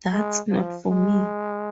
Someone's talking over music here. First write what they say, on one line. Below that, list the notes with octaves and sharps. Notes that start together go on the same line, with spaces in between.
That's not for me.
G#3
F3
G#3